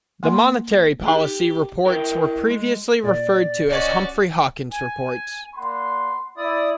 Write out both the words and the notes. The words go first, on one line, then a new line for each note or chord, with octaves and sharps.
The Monetary Policy Reports were previously referred to as Humphrey-Hawkins reports.
A#3 G#5 C6
D#4 G4 G#4
E4 A#4 G5
G#3
A#2 D5
C#4 F#4 D5 D#5
G#5
A#2 F#5 B5 C6
E4 D5 D#6